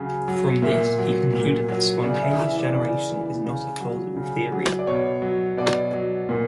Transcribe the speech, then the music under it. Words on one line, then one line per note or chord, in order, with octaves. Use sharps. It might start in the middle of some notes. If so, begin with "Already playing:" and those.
From this he concluded that spontaneous generation is not a plausible theory.
Already playing: C#3 F#3
F#3
A#2 E5
F#3
A#2
F#3
C#3 D5
E5
E3 E5
D5
C#3 D5
E3
C#3
F#3
C#3
F#3
D5
B2 C#5
F#3
B2 D5
F#3
A#2